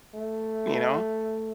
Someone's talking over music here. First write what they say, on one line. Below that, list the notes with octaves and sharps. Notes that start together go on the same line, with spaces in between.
you know?
A3